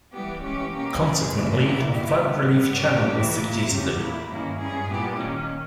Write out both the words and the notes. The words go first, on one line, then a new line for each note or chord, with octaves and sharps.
Consequently, a flood relief channel was suggested.
E3 G3 B3 G4
E3 G#3 C#4 G4
B2 A#3 C#4 G4
E3 G3 C#4 G#4
C#3 E3 G#3
B2 A#3 E4 G4
B2 A#3 E4 G4
G#2 G3 B3
G2 G3 B3
C#3 G3 C#4 G4
E3 A#3 E4
A#2 A#3 E4
E2 C#3 G3 C#4 G4
A#2 A#3 E4
G2 D#3 A#3 C#4 E4
G2 G3 C#4 E4 G#4
A#2 G3 B3 E4 G4
D#3 A#3 C#4